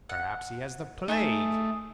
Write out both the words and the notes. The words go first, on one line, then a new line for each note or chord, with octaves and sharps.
Perhaps he has the plague.
F#5
A3 D#4 G#4 C5